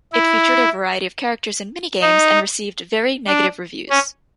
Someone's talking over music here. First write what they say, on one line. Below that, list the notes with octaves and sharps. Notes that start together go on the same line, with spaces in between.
It featured a variety of characters in mini-games and received very negative reviews.
E4
D#4
D4
C#4